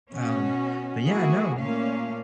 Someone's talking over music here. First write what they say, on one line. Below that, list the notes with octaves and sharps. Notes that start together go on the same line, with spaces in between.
um, but, yeah, no.
B2 C#4 F#4
A3 A#3 E4 F#4 G#4
A#2 A3 A#3 C#4 F5